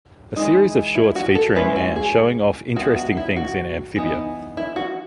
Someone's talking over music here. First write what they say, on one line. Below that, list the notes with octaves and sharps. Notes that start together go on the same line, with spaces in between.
A series of shorts featuring Anne showing off the interesting things in Amphibia.
E3 G#3 D#4
E4
F#4
A4
G#3 C#4 E4 B4
F#4
G#4
D#3 G#3 B3 E4 F#4
F#4
E4
F#4
E3 B3 D#4
E4
F#4